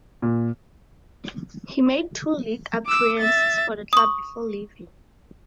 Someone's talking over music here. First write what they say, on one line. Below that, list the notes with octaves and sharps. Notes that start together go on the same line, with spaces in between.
He made two league appearances for the club before leaving.
A#2
D6 E6
E5 A6
C#6 D#6